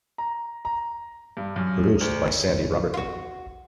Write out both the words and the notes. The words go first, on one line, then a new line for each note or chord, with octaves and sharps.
Produced by Sandy Roberton.
A#5
A#5
G2
F#2
D2
F4 F#4